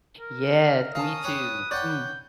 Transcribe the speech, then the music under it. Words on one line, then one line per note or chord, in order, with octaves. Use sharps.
Yes, me too. Mm.
A#4
D#3 C#4 F5 A5 D#6
B4 C#5 G5 D6
C#5 D5 F#5 G5 G6